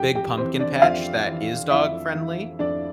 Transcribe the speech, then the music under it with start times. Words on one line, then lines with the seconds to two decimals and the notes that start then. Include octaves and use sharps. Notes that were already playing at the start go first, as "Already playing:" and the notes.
big pumpkin patch that is dog-friendly,
Already playing: F2 G4 G5
0.15 G4 G5
0.37 E3 C4 C5
0.59 D4 D5
0.78 E5
0.82 F2 F4 F5
1.26 E3
1.70 F2 E4 E5
2.15 E3
2.59 F2 D4 D5